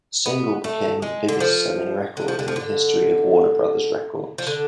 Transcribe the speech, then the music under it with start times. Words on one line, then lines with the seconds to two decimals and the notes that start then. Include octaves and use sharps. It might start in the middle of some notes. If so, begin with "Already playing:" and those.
The single became the biggest selling record in the history of Warner Brothers Records.
0.26 B3
0.64 A3
1.02 G#3
1.29 D3
1.40 F3
2.17 D3
2.28 F3
2.39 D3
2.48 F3
2.56 D3
4.38 F3
4.47 D3